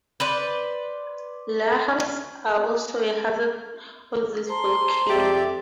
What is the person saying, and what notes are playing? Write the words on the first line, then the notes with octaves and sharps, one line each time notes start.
Lahars are also a hazard of this volcano.
B4 C5 D5
C5 A5 A#5 C6
F2 G4 D5 E5